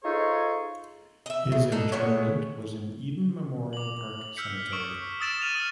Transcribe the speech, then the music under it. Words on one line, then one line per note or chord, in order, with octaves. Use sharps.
His interment was in Eden Memorial Park Cemetery.
D#4 F4 G#4 A4 C5 C#5
D#5 E5
C#3
D4 D#4 A4
A2 G#3 B3 C#5
D6 F#7
E6 F6 G6 B6 C#7
C#6 D#6 D7
D#6 E6 A6 D7 E7
F6 D#7 F7
D#6 A6 G7